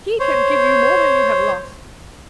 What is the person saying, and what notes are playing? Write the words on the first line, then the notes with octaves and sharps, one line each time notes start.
"He can give you more than you have lost."
C5 C#5